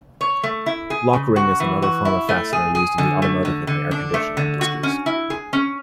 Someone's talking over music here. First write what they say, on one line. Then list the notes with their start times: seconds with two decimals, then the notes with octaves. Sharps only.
Lokring is another form of fastener used in the automotive and air condition industries.
0.21 C#5
0.43 A3
0.66 E4
0.90 G#4
1.13 C#3
1.36 F#4
1.60 E3
1.82 F#4
2.05 E4
2.29 A3
2.52 G#4
2.75 G#4
2.98 D3
3.22 A3
3.45 D3
3.67 D3
3.91 D4
4.14 A3
4.37 D3
4.61 F#4
4.83 C#4
5.06 E4
5.30 G#4
5.53 C#4